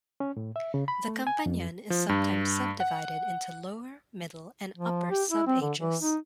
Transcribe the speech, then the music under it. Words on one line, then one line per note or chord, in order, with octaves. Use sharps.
The Campanian is sometimes subdivided into Lower, Middle and Upper subages.
C#4
A2
E5
C#3
B5
A3
G#5
F2
F3
G2
F#5
F3
G4
E4
C4
D3
E3
D#4